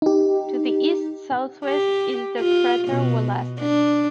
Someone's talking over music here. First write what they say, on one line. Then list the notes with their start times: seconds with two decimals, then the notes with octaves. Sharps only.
To the east-southeast is the crater Wollaston.
0.02 D#4 G4
1.65 G4
2.40 F4
2.88 B2
3.59 D4